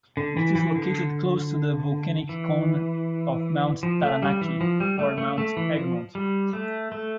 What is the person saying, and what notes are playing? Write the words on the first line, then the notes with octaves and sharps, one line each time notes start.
It is located close to the volcanic cone of Mount Taranaki or Mount Egmont.
D3
E3
E3
D3
E3
F3
A3
G3
E3
F3
G3
A3
A3
A3
E3
F3
G3
A3
A3